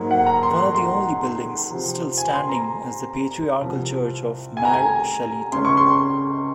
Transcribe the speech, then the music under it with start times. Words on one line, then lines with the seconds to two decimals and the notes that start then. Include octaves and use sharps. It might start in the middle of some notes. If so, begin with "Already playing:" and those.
One of the only buildings still standing is the Patriarchal church of "Mar Shalita".
Already playing: G#2 F#3 A#3
0.11 F#5
0.26 A#5
0.43 C6
0.58 C6
0.75 C6
1.22 C6
1.70 C3 F3 C4
2.18 G#5
2.34 C6
2.49 A#5
3.62 C2 C3 F3
4.57 G#5
4.65 A#5
4.74 G#5
5.52 C#2 C#3 G#3 C#4 C6
5.65 C#6
5.77 C6